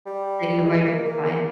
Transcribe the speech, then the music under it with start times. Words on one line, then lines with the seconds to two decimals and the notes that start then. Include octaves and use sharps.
that you weren't fine.
0.06 G3
0.58 G3
0.65 G#3
0.85 A#3
1.05 A#3
1.25 A#3